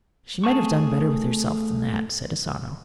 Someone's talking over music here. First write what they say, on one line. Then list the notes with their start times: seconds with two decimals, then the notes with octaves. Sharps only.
"She might have done better with herself than that," said Asano.
0.44 A3 G#4 A5 C#6